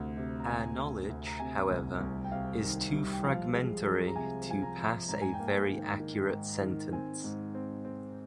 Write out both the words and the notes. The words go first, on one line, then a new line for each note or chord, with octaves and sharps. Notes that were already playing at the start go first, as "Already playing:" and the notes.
Our knowledge, however, is too fragmentary to pass a very accurate sentence.
Already playing: D2 C3
C3
A#5
D2 G#5
D2
D2
A#5
C3 G#5
C2
C2
G5
C3 F5
D#3
G3
G5
F3 F5
G#3
F3
A#5
C3 G#5
F3 G#5
A#5
F3
G#2 A#5
G#5
G5
A#3
G#5
D#3
D#3
G#2
D#3
C4 G#5
G#2
C4
C4